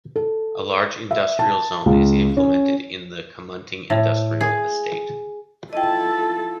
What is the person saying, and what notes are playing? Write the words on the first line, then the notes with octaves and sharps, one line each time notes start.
A large industrial zone is implemented in the Kamunting Industrial Estate.
A4
E5
A5
C#2
C#4
A2
G#4
E4 F4 A4 D#5 G5 A5